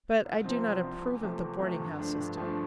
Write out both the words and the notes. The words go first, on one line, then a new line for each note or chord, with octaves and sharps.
But I do not approve of the boarding-house system.
C2
C3 F3 C4
C2
C3 F3 C4
E2
C3 F3 A3
E2
C3 F3 A3
G2
F3 A3 D4
G2
F3 A3 D4